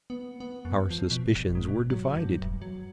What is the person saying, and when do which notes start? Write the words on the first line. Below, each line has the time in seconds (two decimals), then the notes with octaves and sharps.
Our suspicions were divided.
0.10 B3
0.40 B3
0.65 F#2
0.90 F3
1.11 B2
1.35 G1
1.55 G#2
1.68 B2
1.90 F#3
2.16 G2
2.42 E1
2.62 F#3